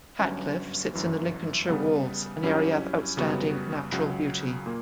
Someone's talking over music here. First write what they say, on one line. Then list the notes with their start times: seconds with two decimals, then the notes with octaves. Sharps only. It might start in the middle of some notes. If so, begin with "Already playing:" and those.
Hatcliffe sits in the Lincolnshire Wolds, an Area of Outstanding Natural Beauty.
0.19 G1 G2 F#3 C#4
0.94 G1 F#2 E3
1.68 C#3 G3 B3
2.43 G2 F#3 C#4 E4 G4
3.17 F#2 C#3 G3 B3 F#4
3.92 C#2 C#3 F#3
4.66 A#2 A#3